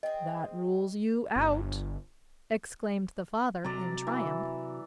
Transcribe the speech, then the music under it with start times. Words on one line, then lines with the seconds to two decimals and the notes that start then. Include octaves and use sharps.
"That rules you out!" exclaimed the Father, in triumph.
0.03 C4 G#4 D#5
1.36 G1
3.64 C3 F#3 D5 A#5
4.07 E3